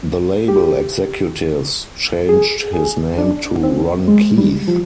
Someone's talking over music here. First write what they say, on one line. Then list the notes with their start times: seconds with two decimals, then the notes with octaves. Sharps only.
The label executives changed his name to Ron Keith.
0.48 G4
2.29 G#4
2.73 G#4
3.18 D4
3.63 C4
4.08 G#3
4.38 G3
4.68 F3